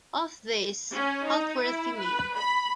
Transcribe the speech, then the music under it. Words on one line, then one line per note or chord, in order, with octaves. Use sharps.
Of these, half were female.
C#4
D#4
E4
B4
B5